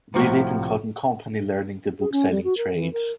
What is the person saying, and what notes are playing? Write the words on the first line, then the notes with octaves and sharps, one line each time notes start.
B. Lippincott and Company, learning the bookselling trade.
C2 A2 C3 F3 F#4
G#4
C#4
G3
F#4
A#4
E3
A#4